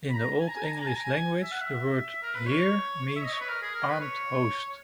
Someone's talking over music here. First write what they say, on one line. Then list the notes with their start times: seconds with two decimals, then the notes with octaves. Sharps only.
In the Old English language the word "here" means "armed host".
0.10 B5
0.14 A#5
0.40 G#5
0.48 A#5
0.55 G#5
0.64 A#5
0.72 G#5
0.79 A#5
0.87 G#5
0.96 A#5
1.04 G#5
1.43 E5
1.52 F#5
1.61 E5
2.22 A#4
2.35 B4
2.46 C#5
3.16 E5
3.25 D#5
3.32 C#5
3.41 B4
3.49 A#4
3.62 G#4
3.75 A#4
3.88 B4
4.01 C#5